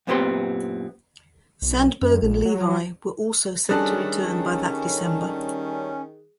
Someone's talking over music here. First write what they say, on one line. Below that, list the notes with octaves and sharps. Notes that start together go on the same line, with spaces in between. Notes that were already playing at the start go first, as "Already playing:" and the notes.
Sandberg and Levi were also set to return by that December.
F#2 A#2 B3 C4 G4 C6
B1
F#2
A#1
F#3
D#3 G3 C#4 D4 G#4 A4 D#6 F#6